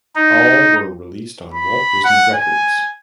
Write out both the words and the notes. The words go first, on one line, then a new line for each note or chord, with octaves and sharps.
All were released on Walt Disney Records.
D#4
B5
F#5
G#5